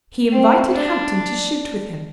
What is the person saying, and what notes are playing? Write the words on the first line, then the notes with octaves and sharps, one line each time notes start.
He invited Hampton to shoot with him.
C4
D4